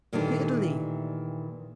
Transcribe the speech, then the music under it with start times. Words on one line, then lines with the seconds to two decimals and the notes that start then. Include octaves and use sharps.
"To Italy."
0.13 A#2 D#3 E3 A3 D4 G4